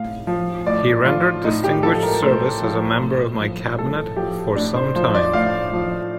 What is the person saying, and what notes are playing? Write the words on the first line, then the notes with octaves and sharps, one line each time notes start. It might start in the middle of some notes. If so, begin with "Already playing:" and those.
He rendered distinguished service as a member of my Cabinet for sometime.
Already playing: A2 F5
F3
A2 D5
F3 F4
A2 D#4
G4
F3 A4
A#4
A2 C5
F3
A2
F3
A2 A4
F3 G4
A2 D4
C5
F3 C5
D5
A2 F5
F3